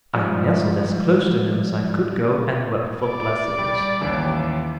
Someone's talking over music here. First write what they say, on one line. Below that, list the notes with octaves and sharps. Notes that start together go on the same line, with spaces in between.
I nestled as close to him as I could go, and wept for blessedness.
G#2 F3 G3
D5
G3
A1 D#2